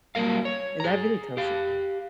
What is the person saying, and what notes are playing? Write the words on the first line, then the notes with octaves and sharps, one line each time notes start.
and that really tells you that
F#3 G3 A#3 A#4 F5
C#5
G#4 A#5
G4 F5